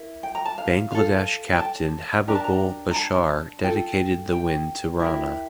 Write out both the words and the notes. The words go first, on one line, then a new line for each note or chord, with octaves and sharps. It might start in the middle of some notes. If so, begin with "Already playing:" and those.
Bangladesh captain Habibul Bashar dedicated the win to Rana.
Already playing: E4 A#4
G5
A#5
A5
F5
F4 A4 F5
G5
A5
D4 G4 A#4 A#5
A5
A#5
A#5
A5
F4 A4 G5
G5
E4 G4 A#4